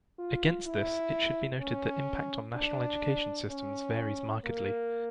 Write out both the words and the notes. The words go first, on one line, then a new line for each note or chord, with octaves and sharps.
Against this, it should be noted that impact on national education systems varies markedly.
F4
E4
C#4
D4
C#4
A#3